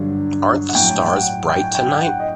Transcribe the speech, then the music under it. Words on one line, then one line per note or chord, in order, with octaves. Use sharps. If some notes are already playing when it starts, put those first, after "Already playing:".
Aren’t the stars bright tonight?
Already playing: G2 D3 F#3
F#5
A2 F#3 G5
F#5
G5
G5
F#5
D#5